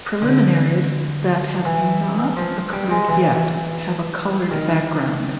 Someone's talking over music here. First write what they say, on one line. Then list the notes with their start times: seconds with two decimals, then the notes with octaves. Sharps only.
Preliminaries that have not occurred yet have a colored background.
0.22 D3
1.65 E3
2.37 F3
2.73 G3
2.91 G#3
3.08 E3
4.51 D#3